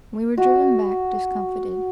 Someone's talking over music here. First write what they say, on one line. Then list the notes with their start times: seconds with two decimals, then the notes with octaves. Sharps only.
We were driven back discomforted.
0.37 F#4